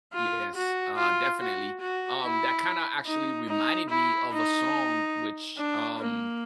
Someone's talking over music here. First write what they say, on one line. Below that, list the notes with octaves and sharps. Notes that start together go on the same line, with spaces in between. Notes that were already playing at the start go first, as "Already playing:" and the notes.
Yes, uh, definitely. Um, that kinda actually reminded me of a song, which, um,
F4
F#4
F4
F#4
F#4
E4
D#4
D#4
E4
D#4
D4
A#3